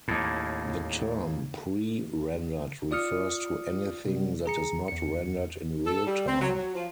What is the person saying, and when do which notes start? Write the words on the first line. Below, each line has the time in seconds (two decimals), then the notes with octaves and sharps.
The term pre-rendered refers to anything that is not rendered in real-time.
0.08 D#2 A2
2.91 F4 D5 D#6 F6 C#7
4.05 C3 G3
4.46 G#4 A#5 C#7
4.88 E2 C#7
5.86 A4
6.07 G3
6.27 C4
6.41 F#3
6.56 F#3
6.75 F3